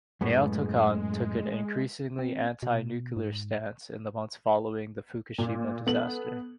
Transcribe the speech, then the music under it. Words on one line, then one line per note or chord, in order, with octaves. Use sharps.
Naoto Kan took an increasingly anti-nuclear stance in the months following the Fukushima disaster.
F#2 A2 G#3 B3
C4
B2
G#2
A#2
B3 A4 F#7